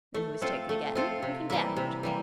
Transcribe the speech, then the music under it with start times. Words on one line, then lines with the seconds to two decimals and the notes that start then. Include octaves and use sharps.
Then he was taken again, and condemned.
0.14 A3
0.41 C4 F4 A4
0.69 A3
0.95 C4 F4 A4
1.22 C3
1.50 E3 G3 A#3 E4
1.76 C3
2.03 E3 G3 A#3